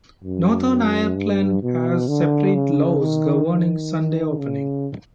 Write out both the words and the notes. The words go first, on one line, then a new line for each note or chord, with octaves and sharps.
Northern Ireland has separate laws governing Sunday opening.
F#2
G2
B2
D3
C#3
D#3
D#3
C#3